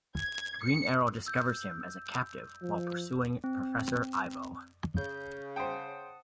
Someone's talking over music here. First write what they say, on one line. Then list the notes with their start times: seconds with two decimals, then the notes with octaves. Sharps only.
Green Arrow discovers him as a captive while pursuing Professor Ivo.
0.18 G#6
0.62 C#7
1.26 E6 G6
2.62 F3
3.44 C4
4.97 C#3 G6
5.56 C5 F#5 G5 A5 D#6